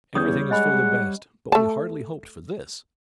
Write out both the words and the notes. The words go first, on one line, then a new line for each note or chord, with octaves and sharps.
Everything is for the best, but we hardly hoped for this!
E2 G3 C#4 C#5 D#6 G6
G#3 D#5 F#5 G#5 B5
A3 A5